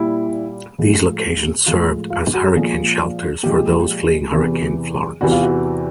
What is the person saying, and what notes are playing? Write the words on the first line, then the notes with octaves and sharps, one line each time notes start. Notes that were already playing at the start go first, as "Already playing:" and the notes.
These locations served as hurricane shelters for those fleeing Hurricane Florence.
Already playing: A#2 G3 E4
A2 F3 G#3
A2 F3 G#3 F4
F4
F#4
A4
A#2 F3 G#3 G#4
A#2 F3 G#3 G4
E2 C3 E3
E2 C3 E3 F#4
F4
F#4